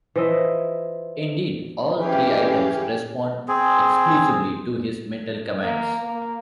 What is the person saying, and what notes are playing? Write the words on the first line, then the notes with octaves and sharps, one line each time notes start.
Indeed, "all" three items respond, exclusively, to his mental commands.
E3 F3 D#5 E5
E3 C#4 G4 G#4 F5
C4 G#4
A#3
A#3